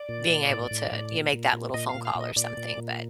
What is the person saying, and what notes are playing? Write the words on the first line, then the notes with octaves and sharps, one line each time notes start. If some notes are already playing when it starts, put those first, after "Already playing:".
being able to you make that little phone call or something, but
Already playing: D5
A#2
A#2
A2
A2
A2
A#2
A#2
A#2
A#2 D#5
F5
A#2
F5
A#2
D#5
A#2 D5
A#2
A#2